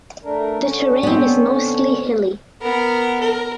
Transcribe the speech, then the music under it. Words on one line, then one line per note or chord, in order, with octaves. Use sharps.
The terrain is mostly hilly.
A3 D4 A#4
D3 C#4
B3 C4
B3 A#4
A#4